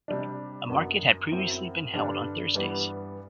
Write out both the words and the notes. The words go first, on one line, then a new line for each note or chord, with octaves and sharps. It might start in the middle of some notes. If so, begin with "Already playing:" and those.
A market had previously been held on Thursdays.
C3 G3 D4
F#2 F#3 B3 D4
F#2 F#3 C4 E4
G2 D3 G3 D4
G2 E3 G3 B3